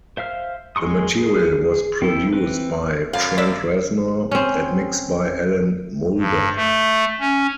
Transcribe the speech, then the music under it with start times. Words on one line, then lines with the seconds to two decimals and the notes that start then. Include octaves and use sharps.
The material was produced by Trent Reznor and mixed by Alan Moulder.
0.17 C5 E5 F5 F6
0.76 F#3 G#3 C6 C#6 D#6
1.18 G#4
2.02 C4 E4 A4
2.33 E3 C4 B4
3.13 F#2 F5
3.38 D5 E5
4.31 C4 C#4
6.18 G2
6.56 A3
7.20 C#4